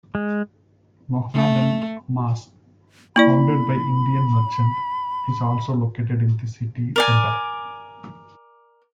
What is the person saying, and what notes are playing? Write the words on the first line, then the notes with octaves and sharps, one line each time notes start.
Muhammadan Mosque, founded by Indian merchant, is also located in the city centre.
G#3
A3
A#3 E4 D5 B5
A#4 D5 G#5